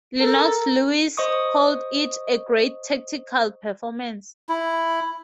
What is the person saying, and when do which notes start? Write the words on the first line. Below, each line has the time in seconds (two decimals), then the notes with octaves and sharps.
Lennox Lewis called it "a great tactical performance".
0.21 A4 A#4
1.17 C5 D#5 C#6 D#6
4.49 E4